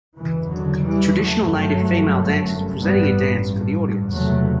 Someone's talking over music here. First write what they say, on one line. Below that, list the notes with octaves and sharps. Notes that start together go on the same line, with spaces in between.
Traditional native, female dancers presenting a dance for the audience.
F#1 E2 B2 E3
D3 F#3
E3 G3
F#3 A3
G1 F#2
A1 G2 G3 B3
F#1 E2 C3 F#3 A3